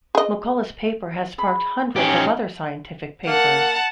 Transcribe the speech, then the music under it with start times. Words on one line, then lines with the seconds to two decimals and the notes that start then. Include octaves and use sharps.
McCollough's paper has sparked hundreds of other scientific papers.
0.15 G#4 D#5
1.38 G#4 B5
1.96 C#4 D#4 G4 C5 G#5
3.27 A#3 F#5 A5